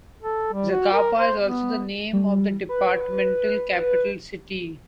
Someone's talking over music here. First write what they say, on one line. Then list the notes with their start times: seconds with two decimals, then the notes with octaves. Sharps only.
Zacapa is also the name of the departmental capital city.
0.22 A4
0.53 G3
0.71 F#4
0.93 A#4
1.19 C5
1.42 B3
2.13 G3
2.69 B4